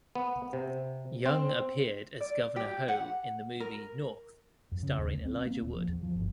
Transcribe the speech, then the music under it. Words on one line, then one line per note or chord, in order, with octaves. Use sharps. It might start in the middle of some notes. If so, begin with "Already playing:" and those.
Young appeared as Governor Ho in the movie "North" starring Elijah Wood.
B3
C3
C4
D5
G4
F#5
A#4
F2
C#3
D#2
D2
C4
A#3
D#1
F3
E2
F3
G1